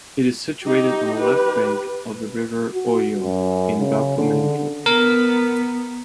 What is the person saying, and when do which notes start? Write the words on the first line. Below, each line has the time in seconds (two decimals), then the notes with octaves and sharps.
It is situated on the left bank of the river Oglio, in Val Camonica.
0.64 D#4 G4
1.18 G4 B4
2.75 F#4
3.20 F#2
3.79 C#3
4.18 D3
4.86 B3 A#4